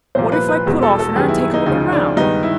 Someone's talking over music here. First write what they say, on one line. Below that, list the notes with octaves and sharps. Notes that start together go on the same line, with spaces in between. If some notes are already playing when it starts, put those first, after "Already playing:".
'What if I put off in her and take a look round?
C2 A#2 F3 A#3 C5
B4
B4
E2 B2 G#3
A4
A4
F#2 D#3 G3 B3 G#4
E4
E4
D#4
D2 C#3 F3 D#4
D4
G2 D#3 G#3 B3 D#4
E4